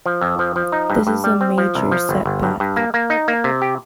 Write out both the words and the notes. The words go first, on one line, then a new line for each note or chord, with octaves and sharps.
This is a major setback.
F3
F2
F3
F3
D#4
G2
G2
G3
C4
F3
C2
F3
G1
G1
G2
G2
A#3
A#3
D#4
A#3
C3
G4